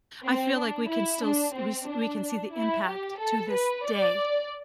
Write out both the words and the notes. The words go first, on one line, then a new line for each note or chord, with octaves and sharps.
I feel like we could still s we s we can see the impact to this day,
C4
D4
E4
D4
C4
D4
D4
E4
G4
A4
B4
D5